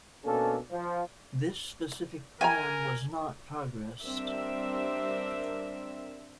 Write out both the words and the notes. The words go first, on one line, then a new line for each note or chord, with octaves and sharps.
This specific plan was not progressed.
B2 A#3 C#4 D4 A4
F3
A#4 E5 G5 G#5 A#5
G3 C4 D4 A#4 E5